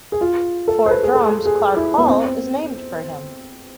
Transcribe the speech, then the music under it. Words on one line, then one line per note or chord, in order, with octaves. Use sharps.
Fort Drum's Clark Hall is named for him.
G#4
F4
A4
C5
B4
G#4
A4
G#4
E4
B3
C4